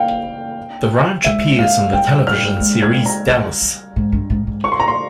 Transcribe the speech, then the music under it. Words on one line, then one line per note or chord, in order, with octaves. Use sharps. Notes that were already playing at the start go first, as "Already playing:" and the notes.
The ranch appears in the television series "Dallas".
Already playing: A#3 F5 G5
G#3 E5
F5
G3 G5
F6
G#3
G#6
A#5
G3
G3
G#2
G2
G#2
G#2
C#6
C6
A#5
C6